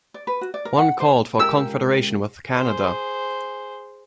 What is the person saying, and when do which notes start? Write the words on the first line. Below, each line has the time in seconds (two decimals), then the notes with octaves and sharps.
One called for Confederation with Canada.
0.14 D5
0.27 B4
0.41 F#4
0.54 D5
0.65 A#4
0.78 F#5
1.00 C5
1.40 C#2 G4 A#4 E6
2.51 G#4 C5